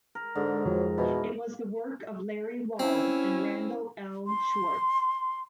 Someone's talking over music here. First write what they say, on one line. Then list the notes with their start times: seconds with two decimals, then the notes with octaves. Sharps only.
It was the work of Larry Wall and Randal L. Schwartz.
0.15 A#4
0.35 G#2 D3
0.65 F2 F#3
0.98 B2 E3
2.79 C4 C#4 E4
4.27 C6